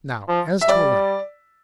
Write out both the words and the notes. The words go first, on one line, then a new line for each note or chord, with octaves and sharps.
Now, as to a letter.
F3
E5
G3 D5